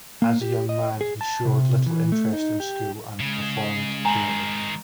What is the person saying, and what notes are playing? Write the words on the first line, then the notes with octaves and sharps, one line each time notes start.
As a young man, he showed little interest in school and performed poorly.
A#3
G4
D#5
G#4
A5
C3
E3
A3
D#4
G4
C#3 G#3
D#3 C4 G#5 A#5 B5 F#7